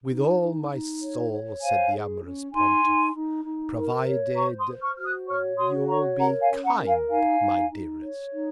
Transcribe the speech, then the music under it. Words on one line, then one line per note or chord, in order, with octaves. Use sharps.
With all my Soul, said the amorous Pontiff, provided----you'll be kind, my dearest.
D#4
D#4
D#4
C#5
C#5
C5 F5 G#5
G#4
C#4
D#4 G#5 C6
D#4
D#4
D#4
A#4
C#5
C5 A#5 C#6
C6 D#6
C5
C#6 F6
F#4 F6
D#6 F#6
C#5 C#6 F6
F#4 C6 D#6
C#5 A#5 C#6
A#4 F#5 A#5
F5 G#5
C#4
F#5 A#5
A#4
F5 G#5
D#4 F5 G#5
D#4
D#4
C#5
D#4